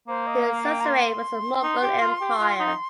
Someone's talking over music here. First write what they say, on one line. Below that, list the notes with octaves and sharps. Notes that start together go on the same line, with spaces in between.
His suzerain was the Mongol Empire.
A#3 C5
D#5
F5
G5
A#5
C6
D#4
G4
F4
G4
F4
D#4